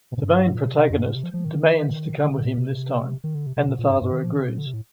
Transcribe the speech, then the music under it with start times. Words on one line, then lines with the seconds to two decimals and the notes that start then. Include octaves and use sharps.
The main protagonist demands to come with him this time, and the father agrees.
0.23 G2
0.56 A#2
0.68 C3
0.79 C3
0.90 F2
0.98 G2
1.06 A2
1.14 C3
1.23 F3
1.34 F3
1.45 D#3
2.24 D#3
2.30 C3
2.35 D3
2.45 A#2
2.57 C3
3.24 D#3
3.35 D3
3.47 C3
3.57 C3
3.68 A#2
3.79 A#2
3.90 G2
4.02 G2
4.12 D#3
4.24 F3
4.32 D#3
4.41 C3
4.49 A#2
4.58 D3
4.66 C3
4.74 A2